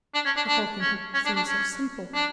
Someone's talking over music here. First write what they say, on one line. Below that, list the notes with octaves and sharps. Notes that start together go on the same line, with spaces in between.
The whole thing had seemed so simple.
D4
C#4
D4
D4
C#4
C#4
D4
D4
C#4
D4